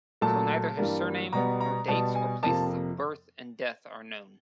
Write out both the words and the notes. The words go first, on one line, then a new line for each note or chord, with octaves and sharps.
So, neither his surname, nor dates or places of birth and death are known.
A#2 F#3 A3 A5
G2 E3 G3 A#3
B2 G3 B3 A#5
A#5
B2 G3 B3 A5
G#5
F2 C3 F3 A#3 A5